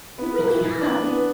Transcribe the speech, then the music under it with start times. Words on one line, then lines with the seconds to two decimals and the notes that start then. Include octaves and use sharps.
We really have.
0.18 B3 B4
0.39 E3
0.61 E3
0.81 D4
1.03 B3